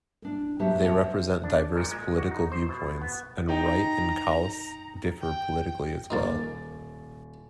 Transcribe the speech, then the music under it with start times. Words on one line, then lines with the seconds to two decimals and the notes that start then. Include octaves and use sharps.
They represent diverse political viewpoints, and Wright and Kaus differ politically as well.
0.25 D4
0.59 B2 F#3 G4 C5 E5 A5
0.84 C#5 E5 F#5 G5 A5
1.04 C5
1.43 D4
1.76 A#2
1.91 G#3
2.18 F#4
2.31 D#4
2.52 C5
2.69 B2
3.01 B3
3.49 D#4 G5 A#5
5.21 G5
6.10 D#1 F3 A#3 D#4 D6 A6